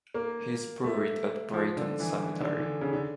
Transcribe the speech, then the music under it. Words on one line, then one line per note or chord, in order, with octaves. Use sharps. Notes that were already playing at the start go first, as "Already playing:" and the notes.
He is buried at Brayton Cemetery.
A#3
A3
F3
D3
E3
D3
D3
C#3
D3